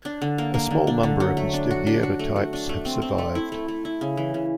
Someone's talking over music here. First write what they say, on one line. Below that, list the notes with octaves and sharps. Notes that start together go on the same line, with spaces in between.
A small number of his daguerreotypes have survived.
D4
D3
A#3
A#3
D3
D4
D3
F#3
A3
D4
F#4
D4
F#4
A3
F#4
D4
A3
C4
C4
A3
E4
A3
A3
E4
C#3
E3
C#3